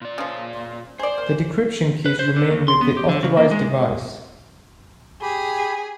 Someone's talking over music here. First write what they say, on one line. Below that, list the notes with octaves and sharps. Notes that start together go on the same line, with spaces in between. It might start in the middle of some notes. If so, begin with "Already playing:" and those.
The decryption keys remain with the authorized device.
A#2 D5
C#3 F3
G#4 C5 D5
A#3
B4
C5
D3
D#2
C6
B3
G4
D3
C#3
A#3
G#3
G4 G#4 B5